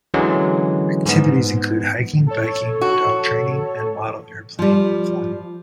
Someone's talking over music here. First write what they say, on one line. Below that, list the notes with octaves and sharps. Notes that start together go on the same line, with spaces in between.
Activities include hiking, biking, dog training, and model airplane flying.
D3 E3 F#3 G#3 C#4
G#2 B3
A4 C#5
F#4
F3 G3